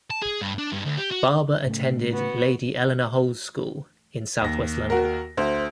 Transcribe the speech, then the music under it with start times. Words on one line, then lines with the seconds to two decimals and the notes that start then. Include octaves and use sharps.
Barber attended Lady Eleanor Holles School in south-west London.
0.11 A5
0.22 G#4
0.41 G2
0.58 D4
0.72 G2
0.85 D2
0.97 G4
1.11 F#4
1.66 A2 C#3 A3
2.13 B3 F#4
4.41 D#2 A#6
4.90 F#4 A#4
5.37 D2 C5